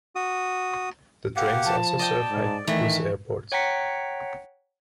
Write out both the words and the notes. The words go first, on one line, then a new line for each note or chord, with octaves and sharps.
The trains also serve Haikou's Airport.
F#4 D#6
A#3 G4 F#5
F3 A5
D5 D#5 G5
G#2
D#3 E3 A3 E5
C#5 F#5 G5 A#5 B6 C#7